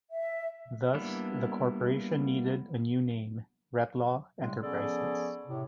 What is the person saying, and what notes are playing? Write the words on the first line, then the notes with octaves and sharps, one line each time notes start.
Thus the Corporation needed a new name, Retlaw Enterprises.
E5
G3 A#3 B3 D4 E4
A2 C3 G3 G#3
F3 B3 C#4 G#4 A4 D5
A2 C3